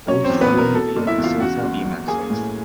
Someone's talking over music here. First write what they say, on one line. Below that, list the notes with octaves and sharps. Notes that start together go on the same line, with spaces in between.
Both front and rear axles are beam axles.
F#3 C#4 C#5
C4 C5
E2
B3 B4
B2
A#4
B2 A4
F#1
E4 E5
E2
F4 F5
C#3 F#4 F#5
F#1
F#2
A#3 G#4 G#5
A2